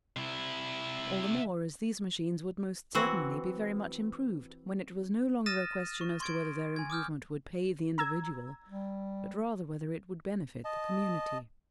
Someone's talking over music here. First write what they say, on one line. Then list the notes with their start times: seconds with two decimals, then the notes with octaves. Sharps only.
All the more as these machines would most certainly be very much improved when it was no longer a question as to whether their improvement would "pay" the individual, but rather whether it would benefit the community.
0.16 C3 E4
2.95 E3 C4 F#4
5.46 D#6 F6 A6 A#6 D#7 E7
6.01 C#6
6.20 C6 C#6 G#6 D7
6.76 G#5 G#6
6.90 D6 D#6 F6 G6
7.98 A#5 E6 G#6
8.68 G3
10.65 D#5 A5